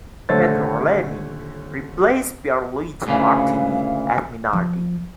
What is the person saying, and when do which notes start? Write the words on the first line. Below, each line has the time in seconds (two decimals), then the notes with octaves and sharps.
Pedro Lamy replaced Pierluigi Martini at Minardi.
0.29 D#1 D3 A3 C5 C#5 A6
3.07 D2 A#2 C#3 E3
4.53 F3